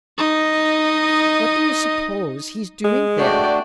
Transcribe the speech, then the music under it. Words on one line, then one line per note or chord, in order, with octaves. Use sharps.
What do you suppose he's doing there?
D#4 D#5
G#3
A3 D4 F#4 D5 G5